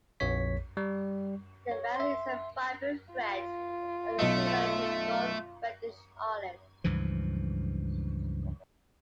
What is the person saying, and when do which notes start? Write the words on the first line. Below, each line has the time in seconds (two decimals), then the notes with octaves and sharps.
The male is a vibrant red, while the female is a dull reddish olive.
0.20 A#1 F2 C#5 B6
0.77 G3
1.71 C#5
1.96 E5 C6
3.13 F4
4.19 B1 A3 D#5
6.84 C#2 G2 E3 F3